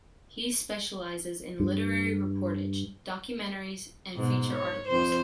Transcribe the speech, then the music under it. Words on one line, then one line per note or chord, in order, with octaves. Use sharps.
He specializes in literary reportage, documentaries and feature articles.
G2
G#2 B2
C#5
F2 C5